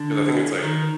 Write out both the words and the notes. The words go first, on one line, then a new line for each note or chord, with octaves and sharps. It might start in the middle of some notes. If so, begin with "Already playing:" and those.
'cause I think it's like
Already playing: D3
D#3